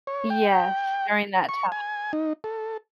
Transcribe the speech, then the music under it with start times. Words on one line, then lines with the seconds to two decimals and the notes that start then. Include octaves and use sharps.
Yes, during that tough
0.07 C#5
0.30 G5
1.49 C#6
1.72 G#5
2.13 D#4
2.44 A4